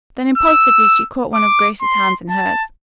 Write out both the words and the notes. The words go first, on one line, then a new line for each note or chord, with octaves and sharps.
Then impulsively she caught one of Grace's hands in hers.
E6
D6
C6
A5